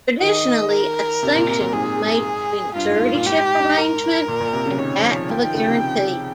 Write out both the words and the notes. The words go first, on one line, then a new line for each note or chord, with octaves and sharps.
Traditionally, a distinction was made between a suretyship arrangement and that of a guaranty.
D#3 D#5
A#4
C3
A#2
C3
A#2
G#2 G#4
G2 F4
G#2
G#2
A#2
G#2 G4
A#4
A#2
A#2
C3
C#3
D#3 C#5
F3
F3 G5
D#3
C#3
C3